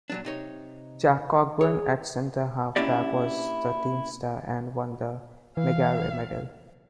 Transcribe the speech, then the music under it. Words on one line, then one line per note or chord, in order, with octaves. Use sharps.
Jack Cockburn at centre half-back was the team's star and won the Magarey Medal.
A#2 F#3 D4
C3 D#4 C#5
G#4 C#5
A#3 C#4 D4 E4 G4 D5
E3 F5